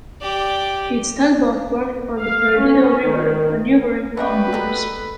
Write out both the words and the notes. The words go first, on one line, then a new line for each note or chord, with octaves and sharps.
Its tugboat worked on the Perdido River, maneuvering logbooms.
G4 D5
F5
C#4
D#3
G3 B3 C#4 B4 D#5 E5 C#6
D#3 G#3 A4 A#5